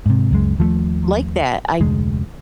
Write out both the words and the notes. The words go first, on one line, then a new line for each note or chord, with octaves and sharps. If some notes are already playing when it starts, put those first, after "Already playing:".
like that. I
G#2 C3
C#2 F#2 G#3
D#2 F3 F#3 A3
F1 D2 G#3